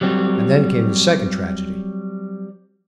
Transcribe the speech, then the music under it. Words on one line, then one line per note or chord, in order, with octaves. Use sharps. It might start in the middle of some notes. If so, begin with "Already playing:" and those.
And then came the second tragedy.
F#3 G3 C4